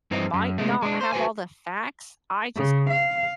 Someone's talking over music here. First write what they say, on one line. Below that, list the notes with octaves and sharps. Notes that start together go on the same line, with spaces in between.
might not have all the facts," I just
G2 E3 C4 D#4
F#2
C3 G#3 A3
G#3 D4
C5
F#4 B4 C5 G#5
C#3
F5